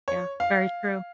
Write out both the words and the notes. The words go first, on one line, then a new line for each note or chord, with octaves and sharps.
Yeah, very true.
C#5
F5